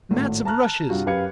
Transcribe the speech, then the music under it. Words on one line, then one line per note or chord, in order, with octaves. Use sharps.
Mats of rushes.
G#1 A2
A5 A#5 F6 F#6
G2 C3 F4 F#4
F#2 G4 B4 F5 G#6 C#7